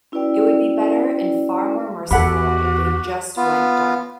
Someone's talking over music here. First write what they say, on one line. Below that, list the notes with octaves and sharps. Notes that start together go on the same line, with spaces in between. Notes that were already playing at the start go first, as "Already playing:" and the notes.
It would be better, and far more merciful, if they just went dark.
C#4 E4 F#4 B4 D5 G5
E2 F#4 G4 A4 F#5 B5
B3 F4